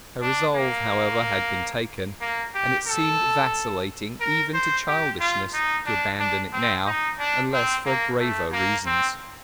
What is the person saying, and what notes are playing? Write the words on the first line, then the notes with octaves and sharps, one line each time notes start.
Her resolve, however, had been taken, and it seemed vacillating even to childishness to abandon it now, unless for graver reasons.
D4
A#3
A#3
G4
A4
A#4
C5
G4
F4
D#4
D4
D4
C4
D#4
D4
C4
A#3
A3
A#3
C4